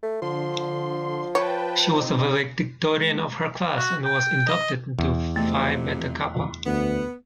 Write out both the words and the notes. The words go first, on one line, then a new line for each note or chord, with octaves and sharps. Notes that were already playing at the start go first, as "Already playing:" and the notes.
She was valedictorian of her class and was inducted into Phi Beta Kappa.
A3
D3 F3 C6
B4 C#5 G5 A5
C4 D#4
F#4
G5
D#5
E2
F2 C3 A3
D2 B3